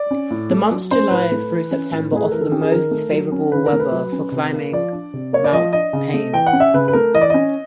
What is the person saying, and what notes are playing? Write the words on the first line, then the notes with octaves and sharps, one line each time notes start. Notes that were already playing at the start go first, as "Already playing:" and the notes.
The months July through September offer the most favorable weather for climbing Mount Payne.
Already playing: D5
C#4
A2
A3
F#3
C#4 C5
A2 B4
A3
E3
C#4
A2
A3 G#4
A4
E3 A#4
A4
C#4 G4
G#4
D#3 A#4
A3
F#3
C#4
D#3 B4
A#4
A3
B4
F#3
C#4
C3
A#3
F3 D5
D4
C3
A#3 C#5
D5
F3 D#5
D4 D#5
C#3
A3
E3 G5
F#5
C#4
E5
C#3 B4
B4
A3 A#4
E3 D#5
D5
C#4 D#5